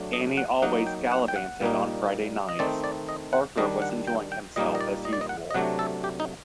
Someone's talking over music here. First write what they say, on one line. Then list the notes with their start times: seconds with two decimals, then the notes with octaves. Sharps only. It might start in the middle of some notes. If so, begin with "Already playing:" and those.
Annie always “gallivanted” on Friday nights; Arthur was enjoying himself as usual.
Already playing: F#3 A3 D4
0.13 D#5
0.37 F#5
0.62 F#3 A#3 D#4 F#5
0.87 G5
1.12 F#5
1.28 G5
1.36 F#5
1.61 A#2 G3 A#3 D#4
2.49 D#5
2.59 D#3 A3 C4 D#4 D5
2.84 D5
3.09 D#5
3.33 F#5
3.57 D#3 G3 D4 D#5
3.82 F#5
4.07 G5
4.32 G5
4.56 A#2 G3 A#3 D#4 D#5
4.75 D#5
4.81 D5
5.05 D#5
5.13 D5
5.21 D#5
5.29 F#5
5.51 D#5
5.54 C3 F#3 A3 D4 F#5
5.79 A4
6.04 G4
6.20 D#4